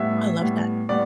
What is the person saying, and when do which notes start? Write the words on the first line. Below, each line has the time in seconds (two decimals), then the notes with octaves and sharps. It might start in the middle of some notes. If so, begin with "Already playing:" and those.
I love that.
Already playing: A2 G3 B3 E5
0.39 A2 G3 B3
0.89 A2 G3 B3 D5